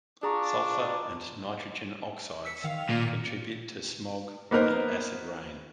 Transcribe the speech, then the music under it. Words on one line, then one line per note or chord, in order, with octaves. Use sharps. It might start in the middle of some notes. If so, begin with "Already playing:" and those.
Sulfur and nitrogen oxides contribute to smog and acid rain.
D4 F4 G#4 D5 A#5 C#6
E6 B6 C#7
D#3 F5 F7
A#2
A#3 B3 D#4 A#4 C5